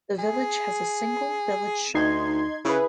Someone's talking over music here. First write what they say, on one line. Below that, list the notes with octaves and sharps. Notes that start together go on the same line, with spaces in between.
The village has a single village shop.
G#4
D2 D#4 C6 G#6
C#3 E4 G#4 B4